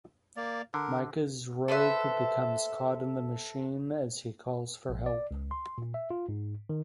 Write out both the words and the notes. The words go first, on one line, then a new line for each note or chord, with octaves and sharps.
Micah's robe becomes caught in the machine, as he calls for help.
A#3 D5
D3 A#4
A4 B4 C5 E5
A#1
D5
C#2
C6
A#2
E5
F4
G#2
D#3